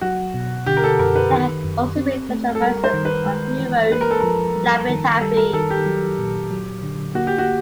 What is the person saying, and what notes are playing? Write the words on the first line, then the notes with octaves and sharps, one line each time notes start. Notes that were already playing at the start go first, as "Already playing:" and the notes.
There has also been controversy on who wrote "Laffy Taffy".
F#3 F#4
B2
D3 G4
A#4
A4
F#2 A#4
B4
D#3
F#2
C4
A3
A4
G3 A#4
C5
D#3
B4
G#3
E3
A#3 B4
A#4
A4
F3 A#4
G3
D#3
G3 A4
A#4
D#3 A4
G4
F#3
A#2
F#3
D3
A#3 F#4
G4
F#4